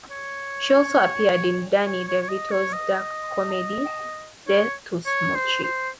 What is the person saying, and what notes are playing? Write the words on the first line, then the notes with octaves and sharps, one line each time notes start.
She also appeared in Danny DeVito's dark comedy, "Death to Smoochy".
C#5
C#5
C#5
C#5
D#5
C#5
D#5
C#5
C#5
C5
C5